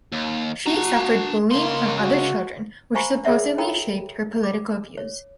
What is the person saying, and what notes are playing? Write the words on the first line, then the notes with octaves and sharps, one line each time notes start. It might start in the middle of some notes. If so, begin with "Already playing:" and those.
She suffered bullying from other children which supposedly shaped her political views.
D#2
D4 F#4 A#5
C#2 A#3 C6
F#4
C5 F5 G#5 A#5 B5 C#6
G#4 A#4 C#5 D5 E5 F#5
A4 A#4 C#5 G5 A#5 B5
D6
C#5